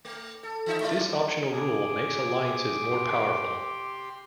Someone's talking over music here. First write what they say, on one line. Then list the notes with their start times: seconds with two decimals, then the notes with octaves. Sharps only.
This optional rule makes alliances more powerful.
0.05 A3
0.43 A4
0.66 E3 D#4 E5
0.81 G#3 E4 D5
1.54 G#4 D6
2.91 G4 C6